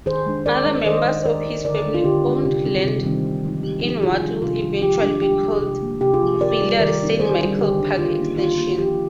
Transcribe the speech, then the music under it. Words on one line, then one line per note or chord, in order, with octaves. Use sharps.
Other members of his family owned land in what would eventually be called Villeray-Saint-Michel-Parc-Extension.
D#3 G#4 C5
G#3 D4
D#3 A#4 D5
G#3 D4
D#3 C5 D#5
G#3 D#4
D#3 A#4 D5
G#3 D#4
D3 A#4 D5
G#3 D4
F4
D3 G4
G#3 D4
C3 G4
D#3 G3 C4 D#4
C3
D#3 G3 C4 D#4
C3
F3 G#3 D#4
C3 G4
F3 G#3 D#4
C3 F4 G#4
D#3 G3 D4
C3 F4
D#3 G3 D4
F3 G4
G#3 D4
F3 G4
G#3 D4
C3
F3 A#3
C3 G4
F4 G#4
F3 A#3
D#3 A#4 D5
G3 C4 D#4
D#3 A#4 D5
G3 C4 D#4
D3 G#4 C5
D4
G3
D3 G4
G3 D4
D#3 F4
A#3 D#4
D#3 F4
A#3 D#4
F3 G4